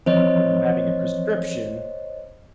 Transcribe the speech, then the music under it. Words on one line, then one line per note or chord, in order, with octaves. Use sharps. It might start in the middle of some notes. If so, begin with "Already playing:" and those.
you know, having a prescription,
E3 F3 C4 C5 C#5 D#5